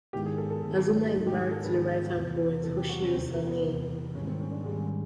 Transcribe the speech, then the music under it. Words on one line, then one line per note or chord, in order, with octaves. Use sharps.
Azuma is married to the writer and poet Hoshio Sanae.
G#2 D#3 G#3 B3 E4 G4
G#4
A4
A4
G#2 D#3 G#3 B3 E4
G#2 D#3 G#3 B3 E4
G4
G#4
A4
G#2 D#3 G#3 B3 E4 B4
E2 C3 E3
E2 C3 E3 A4
G4
F#4
C#4
E2 C3 E3 C4
A#3
B3
E2 C3 E3
G#2 D#3 G3 C#4
C4
C#4
D4
G#2 D#3 G3 G#3
G#3